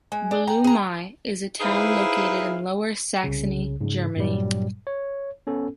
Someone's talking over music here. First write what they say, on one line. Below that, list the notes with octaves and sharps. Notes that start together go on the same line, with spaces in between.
Buluomei is a town located in Lower Saxony, Germany.
G#3 G#5
D4
G5 A#5
G#4 A#5
D#4 E4 G#4 B4 C5 F5
C2 C#3
G#2 C#3
G2 A#2 F#3 G3
C#5
B3 C#4 A4